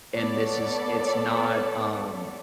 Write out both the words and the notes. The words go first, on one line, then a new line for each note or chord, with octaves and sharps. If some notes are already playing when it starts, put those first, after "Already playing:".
and this is it's not, um,
B3 A4 C#5 D5